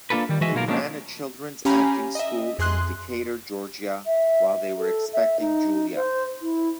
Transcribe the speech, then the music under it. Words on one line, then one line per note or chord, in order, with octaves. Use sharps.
They ran a children's acting school in Decatur, Georgia, while they were expecting Julia.
A#3 D4 F4 A4 B4
D#3 G3
E3 G#3 F#4 D#5 E5 G#5
B1 B2 A#3 F4 A#4
F3 G#3 A#3 C#4 D4
C#4 G4 F5 G#5 A#5 B5
D#5 E5
F2 G#4 C6 F#6
E5
A4
E5
D#4
C5
E4